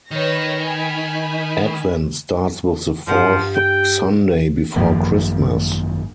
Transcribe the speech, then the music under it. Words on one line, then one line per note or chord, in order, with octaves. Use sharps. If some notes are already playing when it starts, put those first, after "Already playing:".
Advent starts with the fourth Sunday before Christmas.
D#3 B4 C#5 A#6
G#5 B5
G2 F3 G4 F#5
G5
G#1 F#2 F3 A#3